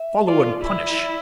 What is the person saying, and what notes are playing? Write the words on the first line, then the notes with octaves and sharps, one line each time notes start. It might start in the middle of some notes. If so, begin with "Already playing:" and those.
"Follow and punish."
Already playing: E5
F4 D5
E4